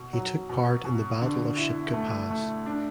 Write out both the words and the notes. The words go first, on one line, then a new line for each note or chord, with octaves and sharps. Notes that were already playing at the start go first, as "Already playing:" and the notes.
He took part in the Battle of Shipka Pass.
Already playing: B2
F#3
B2
B2
D3
E4
A3
A3
D4